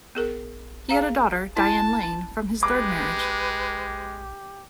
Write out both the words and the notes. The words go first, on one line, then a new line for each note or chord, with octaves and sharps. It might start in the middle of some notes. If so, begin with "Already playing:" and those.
He had a daughter, Diane Lane, from his third marriage.
B3 G#4 A#4
G#4 F5 A#5
E4 A5
G#3 G4 B4 D6